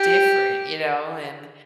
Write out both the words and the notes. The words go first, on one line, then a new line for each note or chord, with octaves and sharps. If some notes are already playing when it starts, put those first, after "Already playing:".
different." You know? And
Already playing: G4